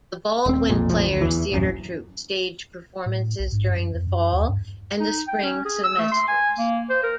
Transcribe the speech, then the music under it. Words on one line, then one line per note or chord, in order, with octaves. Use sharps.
The Baldwin Players theatre troupe stage performances during the fall and the spring semesters.
D#1 C4
B1 F2 A#2
A#1 F2 A2 F3
D2
E2 E3
D#1 A1 F#2
A2
B1
G#2
F#2
F2
F#2
D#2
G2
D#4
G5
C#4
G#4
E6
A3
C6
G#5
A#3
C5
A#4